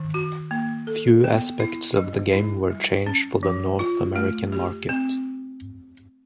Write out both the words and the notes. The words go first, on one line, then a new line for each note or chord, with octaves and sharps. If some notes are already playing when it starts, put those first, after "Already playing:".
Few aspects of the game were changed for the North American market.
Already playing: D#3
F#4
A#3
A4
B3
E4
F#3
E4
G3
C#4
F3
F4
A3
G4
C4